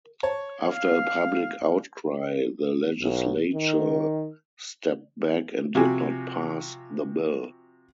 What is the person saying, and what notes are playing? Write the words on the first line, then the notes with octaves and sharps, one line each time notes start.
After a public outcry, the legislature stepped back and did not pass the bill.
C#5 A5
F5
B1
D#3
C3 F3 F#4 G4 G#5